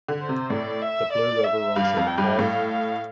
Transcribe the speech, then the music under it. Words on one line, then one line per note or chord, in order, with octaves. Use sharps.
The Blue River runs through the park.
D3
C5
C3
A2 D5
E5
D5
E5
G2 F5
F2
G5
G2
A2 F5
F5